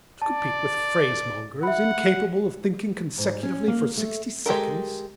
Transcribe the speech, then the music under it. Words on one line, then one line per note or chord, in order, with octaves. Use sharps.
To compete with phrasemongers, incapable of thinking consecutively for sixty seconds?
D5 A5
E5 F#5 B5
G#2
C#4
A#3
A3
G#3 G4 A4 A#4